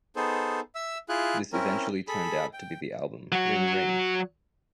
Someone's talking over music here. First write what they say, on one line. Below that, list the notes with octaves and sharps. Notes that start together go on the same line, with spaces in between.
This eventually turned out to be the album "Ring Ring".
B3 D#4 G#4 A4 C5
E5 E6
E4 F4 G#4 F#6
C4 C#4 E4 A#4
G#4 A4 B5
G5
F#3 F#4